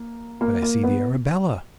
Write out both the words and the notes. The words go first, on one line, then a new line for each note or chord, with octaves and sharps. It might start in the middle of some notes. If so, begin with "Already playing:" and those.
"But I see the Arabella."
Already playing: A#3
A#3
A#3
B3